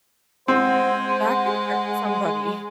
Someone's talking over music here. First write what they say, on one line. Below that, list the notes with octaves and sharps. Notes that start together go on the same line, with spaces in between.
That could hurt somebody.
G#3 C4 C5 F#5